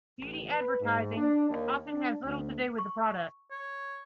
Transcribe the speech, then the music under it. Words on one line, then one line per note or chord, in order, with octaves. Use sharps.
Beauty advertising often has little to do with the product.
A1
B4
G#2
D4
D#2
D4
D2
C#6
C#5